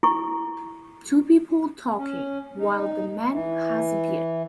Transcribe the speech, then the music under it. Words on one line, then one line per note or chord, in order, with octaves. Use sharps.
Two people talking, while the man has a beer.
E4 C#6
C#4
D#4
E3